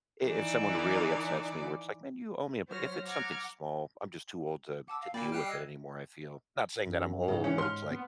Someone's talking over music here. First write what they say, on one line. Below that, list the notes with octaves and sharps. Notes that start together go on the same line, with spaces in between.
i if someone really upsets me where it's like, man, you owe me a if it's something small, I'm just too old to to deal with it anymore, I feel. Not saying that I'm old, but it's like
D#3 E3 D#4 D5
F#3 C5 C#5 F6 A#6
F#5 A#5 D6 F6 G#6
F#5 A5 D6 E6
F5
A#2 A#3 G5 B5 D6 A6
G3 F6 F#6 C7
D#5 E6 G#6
F#2
G#2 C#3
E3 C#4
C6 F6
B3